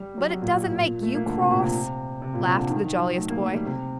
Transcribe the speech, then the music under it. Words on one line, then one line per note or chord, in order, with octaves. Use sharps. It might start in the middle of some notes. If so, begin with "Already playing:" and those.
"But it doesn't make you cross," laughed the jolliest boy.
Already playing: G3
F#3
F#3
A#2
A#2
A#2
A3
A#3
D3
C3
A#2
C3
C3
A#2
C3
D3
D#3
D#3
F#3
A3
A#3
A3
G3
C3